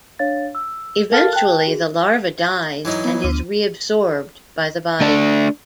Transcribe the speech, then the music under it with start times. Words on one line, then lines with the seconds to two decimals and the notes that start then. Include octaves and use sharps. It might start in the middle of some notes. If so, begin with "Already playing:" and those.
Eventually the larva dies and is reabsorbed by the body.
0.19 D4 C#5 F5 A6
0.55 E6
1.10 A4 A#4 F5 A5 F6 A6
1.33 G5 A5 F#6
1.67 F#4 G#4
2.85 E3 F#3 D#4
3.04 B3
3.22 D2 D#7
5.01 A3 D4